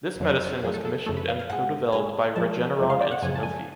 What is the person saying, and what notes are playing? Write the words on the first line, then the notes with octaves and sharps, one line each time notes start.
This medicine was commissioned and codeveloped by Regeneron and Sanofi.
F2 D3 F#3
F#2 F3 A3 G#4
A4
A4
F#2 F3 A3 A4
B4
F5
F5
G#2 G#3 F#5
G#2 G#3 G#5
F2 F3 G#3 A5
F2 F3 G#3
F5
D5
F#5
F#2 C#3 F3 G#3 G#5
A5
G#5